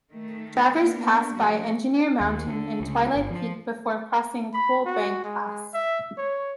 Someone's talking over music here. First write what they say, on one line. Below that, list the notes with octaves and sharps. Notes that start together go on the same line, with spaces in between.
Drivers pass by Engineer Mountain and Twilight Peak before crossing Coal Bank Pass.
D#3 A3
A#3 B3 D4
C3 F3 G3 A3 F#4
D#2
D3
C#2
G1
F3
B5
F#4
G#3
E5
C#5